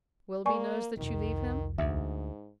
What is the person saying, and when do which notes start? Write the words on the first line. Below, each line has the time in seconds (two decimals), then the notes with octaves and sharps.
"Willoughby knows that you leave him?"
0.46 A#3 D5 G#5 C#6
0.97 C2 F2 D#3
1.78 D2 G#2 E5